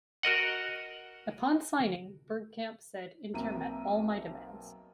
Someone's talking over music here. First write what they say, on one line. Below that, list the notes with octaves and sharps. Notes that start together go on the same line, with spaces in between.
Upon signing, Bergkamp said Inter met all my demands.
F#4 A#4 D#5 F#5
B1 A#3 C4 E5 A#5 D#7